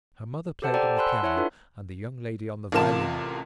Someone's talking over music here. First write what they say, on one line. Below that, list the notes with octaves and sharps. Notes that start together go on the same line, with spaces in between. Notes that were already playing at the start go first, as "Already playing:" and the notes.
Her mother played on the piano and the young lady on the violin.
G4 A4 C5 F#5 A5
A4 C5 D5 F#5 G5 A#5
G#5 A5 B5 C6 E6 F#6
F#5 C6
E4 C#5 E5 F#5 F#6
D4 F4 A4 B4
A1 C3 F4 A#4 A5 E7